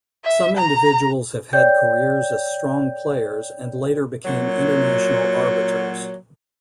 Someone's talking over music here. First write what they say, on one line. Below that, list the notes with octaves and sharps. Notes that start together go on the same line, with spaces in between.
Some individuals have had careers as strong players and later become International Arbiters.
E5
A#5
C#5 D5 G5 G6
A#2 F#3